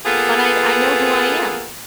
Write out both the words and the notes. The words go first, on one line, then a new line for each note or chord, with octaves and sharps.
but I I know who I am,
A#3 B3 F4 G#4 A4 B4